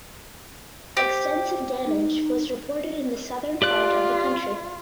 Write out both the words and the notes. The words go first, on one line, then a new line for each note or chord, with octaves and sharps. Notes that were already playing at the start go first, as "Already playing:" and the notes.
Extensive damage was reported in the southern part of the country.
G4 C5
D#4
F4 G4 D5 F#6